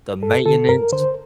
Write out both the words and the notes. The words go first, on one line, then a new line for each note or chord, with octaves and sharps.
the maintenance.
G2 A4
D3 A4
G2 A#4
D3 C5